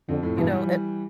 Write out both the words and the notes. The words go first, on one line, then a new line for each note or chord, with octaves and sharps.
You know, it
F2 D3
F2 A2
G2 B2 E3
E3 G3
F3